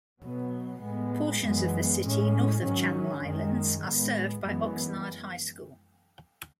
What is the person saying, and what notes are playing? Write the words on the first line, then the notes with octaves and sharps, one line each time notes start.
Portions of the city north of Channel Islands are served by Oxnard High School.
B2 F#3 B3
A2 G#3 B3
F#2 E3 G#3 B3
A2 G#3 C#4
G#2 D#3 F#3 C#4
F#2 D#3 G#3
A2 G#3 B3
F#2 E3 G#3 B3